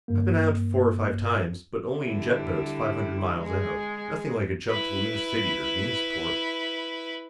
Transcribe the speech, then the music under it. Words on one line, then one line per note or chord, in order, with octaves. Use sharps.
"I've been out four or five times but only in jet boats five hundred miles out. Nothing like a jump to Luna City or Venusport."
G2 A#3
D3 G3 E4
G#3 G#4
E4 B4